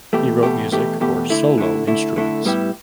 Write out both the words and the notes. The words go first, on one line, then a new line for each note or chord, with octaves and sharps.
He wrote music for solo instruments.
E2 B2 A3 G4
E2 B2 A3 G4
E2 B2 A3 G4
E2 B2 A3 G4
D3 A3 E4
D3 A3 E4
D3 A3 E4
D3 A3 E4
A2 G3 B3 E4 G4